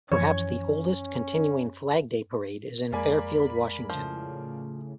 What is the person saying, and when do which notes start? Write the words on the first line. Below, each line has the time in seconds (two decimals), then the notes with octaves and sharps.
Perhaps the oldest continuing Flag Day parade is in Fairfield, Washington.
0.12 F#2 E3 F3 C#4 C#5
2.92 F2 G#3 A#3 D5 G#5 B5
3.90 A2 C#3 F3